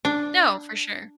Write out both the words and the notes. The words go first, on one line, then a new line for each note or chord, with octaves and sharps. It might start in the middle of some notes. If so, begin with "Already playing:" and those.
No, for sure.
D4